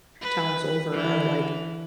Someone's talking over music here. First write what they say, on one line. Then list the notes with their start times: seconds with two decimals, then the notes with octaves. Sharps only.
towns over are, like,
0.22 B4
0.92 E3